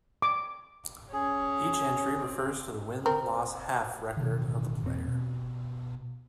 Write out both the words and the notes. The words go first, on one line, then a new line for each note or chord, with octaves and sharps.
Each entry refers to the Win-Loss-Half record of the player.
D6
C#4 G#4
C4
C4 A#4
A1 B2 D3 D#3
E2 A#2 C4
B2